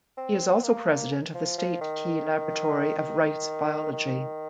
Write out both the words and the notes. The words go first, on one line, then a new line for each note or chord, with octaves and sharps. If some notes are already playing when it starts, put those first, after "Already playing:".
He is also president of the State Key Laboratory of Rice Biology.
C4
A#3
F3
F3
D#3
D#3
D#3